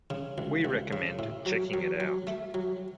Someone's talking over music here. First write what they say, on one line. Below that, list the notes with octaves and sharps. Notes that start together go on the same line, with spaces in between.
We recommend checking it out.
C#3
C#2
C#2
C#3
A2
F#3
F#3
F#3
A3
F#3